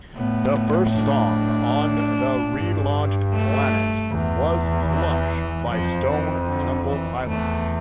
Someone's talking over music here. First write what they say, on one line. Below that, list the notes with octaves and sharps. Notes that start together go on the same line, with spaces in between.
The first song on the relaunched "Planet" was "Plush" by Stone Temple Pilots.
A2 B3
D4
G2
A3
E2
E3
F2 F3
E3
D3
E3
E2 A3